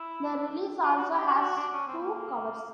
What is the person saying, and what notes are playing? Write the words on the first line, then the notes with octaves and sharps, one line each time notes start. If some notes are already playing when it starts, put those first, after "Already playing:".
The release also has two covers.
Already playing: E4
F4
F#4
G4
F#4
G4
F#4
D4
C#4
C4
A#3